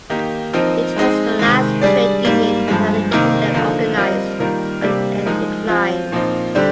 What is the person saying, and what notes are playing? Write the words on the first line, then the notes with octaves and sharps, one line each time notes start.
It was the last trade union in the United Kingdom organised on ethnic lines.
D#3 A#3 D#4 G4
F3 C4 D#4 A#4 D#5
G#3 C4 D#4 G#4
C3 D#3 G#3
G3 D4 G#4 D5
G#2 G3 A#3
G2 F3 G#3
C3 D#3 A#3 D#4 A#4
D3 F3 A#3 D#4
G3 C4 F4 A#4 D#5
D#3 G3 A#3 F4 A#4
C3 G3 A#3 D4 G4
F3 G#3 D#4 A#4
F3 C4 F4
A#2 F3 C4 D#4
D3 G3 D4 G4 C5